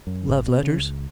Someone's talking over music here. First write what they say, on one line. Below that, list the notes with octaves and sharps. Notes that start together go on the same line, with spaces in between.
"Love letters."
F#2
G#1
B2
C#3
C#2